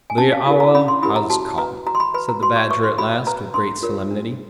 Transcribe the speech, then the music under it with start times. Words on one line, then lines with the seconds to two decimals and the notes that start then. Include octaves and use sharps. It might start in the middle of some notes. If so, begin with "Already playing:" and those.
'The hour has come!' said the Badger at last with great solemnity.
0.10 G#5
0.18 C#4 A5
0.32 F5
0.46 E4 G4 A#4 F5
0.60 A#5
0.75 C#4 B5
0.88 C6
1.02 E4 G4 A#4 B5
1.16 A#5
1.30 F#4 A5
1.58 B4 A#5
1.86 F#4 A#5
1.95 C6
2.00 B5
2.14 B4 B5
2.29 A#5
2.42 F#4 C6
2.56 C#6
2.70 B4 C#6
2.84 C6
2.98 F#4 B5
3.27 B4 A#5
3.54 D4 C6
3.82 F4 A#4 C#5
4.11 D4